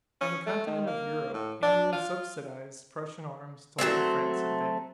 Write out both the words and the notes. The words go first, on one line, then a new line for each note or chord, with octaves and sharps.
On the continent of Europe, England subsidized Prussian arms to hold France at bay.
C#4
A3
D#3
A#3
A2
D4
F4
F#3 G#3 A3 C4